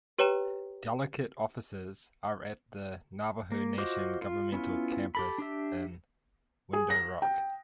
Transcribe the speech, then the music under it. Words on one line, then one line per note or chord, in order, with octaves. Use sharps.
Delegate offices are at the Navajo Nation governmental campus in Window Rock.
G4 B4 C#5 G5 A#5 E7
A#3
F4 F#4 C5 D#5 D6
F4
B3 C#4 E4 F4
G4 A4 B5
D4 G4 E5
G#4
A#6
G5